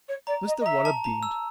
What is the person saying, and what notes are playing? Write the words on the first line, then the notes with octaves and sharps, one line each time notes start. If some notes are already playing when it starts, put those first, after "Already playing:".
Mr Waller beamed.
C#5
D5 A#5
D#5
D#5
E5 A#5
A5
A#5
E6